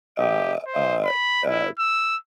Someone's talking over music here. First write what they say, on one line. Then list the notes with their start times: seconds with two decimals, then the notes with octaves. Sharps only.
uh, uh, uh
0.19 G4
0.66 C5
1.04 B5
1.48 E4
1.79 E6